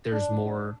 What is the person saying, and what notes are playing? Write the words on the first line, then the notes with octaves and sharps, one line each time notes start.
there's more,
D4